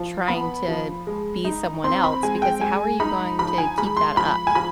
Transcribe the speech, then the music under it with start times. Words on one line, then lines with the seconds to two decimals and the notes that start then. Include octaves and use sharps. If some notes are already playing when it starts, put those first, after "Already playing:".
trying to be someone else, because how are you going to keep that up,
Already playing: F3
0.28 B3 B5
0.68 F3
1.07 G#3
1.45 D#4
1.84 C4 C6
2.04 B5
2.23 G#3 G#5
2.42 G5
2.61 G#3 G#5
3.00 D#4 B5
3.39 F3 B5
3.58 G#5
3.78 G#3 B5
3.97 C6
4.17 F3 B5
4.47 G#5
4.55 F3 B5